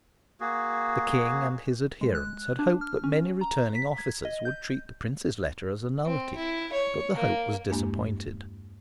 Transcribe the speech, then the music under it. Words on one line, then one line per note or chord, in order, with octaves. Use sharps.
The King and his adherents had hoped that many returning officers would treat the Prince's letter as a nullity; but the hope was disappointed.
A#3 F#4 G#4
G#3
F#6
D4
F6
C#4
A#5
B6
G#6
D#5
G6
C4
E4
C#5
A#3
E2 G2 G#3 A#3 D4